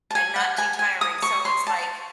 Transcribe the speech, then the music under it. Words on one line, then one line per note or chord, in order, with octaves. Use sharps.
and not too tiring. So It's, like,
A5
G#5
F#5
G#5
G#5
D#6
C#6
C6
A5